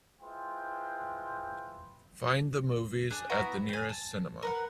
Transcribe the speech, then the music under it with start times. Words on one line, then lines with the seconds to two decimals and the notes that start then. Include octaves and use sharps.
Find the movies at the nearest cinema.
0.20 G#3 E4 F4 B4 C5 G5
3.11 D4 G#4
3.30 B3 E4 F#4 A#5
3.69 G5 G#5
3.89 A5
4.43 A#4 B4 F#5